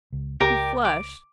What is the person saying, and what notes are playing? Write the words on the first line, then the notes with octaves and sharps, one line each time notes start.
He flushed.
C#2
C#2 G4 A#4 D5
D6